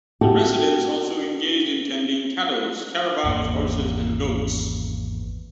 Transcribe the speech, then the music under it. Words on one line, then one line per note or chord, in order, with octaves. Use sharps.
The residents also engaged in tending cattles, carabaos, horses and goats.
C4 F#4 G4 A4
G#1 E2 A#3